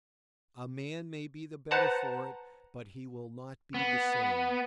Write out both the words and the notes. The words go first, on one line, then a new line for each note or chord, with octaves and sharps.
A man may be the better for it, but he will not be the same.
B4 C5 F#5 A5 A#5
B3